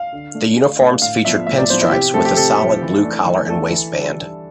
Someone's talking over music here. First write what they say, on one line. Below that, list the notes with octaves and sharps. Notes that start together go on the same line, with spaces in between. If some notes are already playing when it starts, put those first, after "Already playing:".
The uniforms featured pinstripes with a solid blue collar and waistband.
Already playing: F5
D3
A3 D4
D3
A3 D4
A2 F5
F3 B3 D4 E5
A2 E5
D5
F3 B3 D4 C5
E4
C3 G4
F3 A3 C4 A4
G4
C3 A4
F3 A3 C4
E3
A3 D4
E3
A3 D4 A4
E3
G3 D4
E3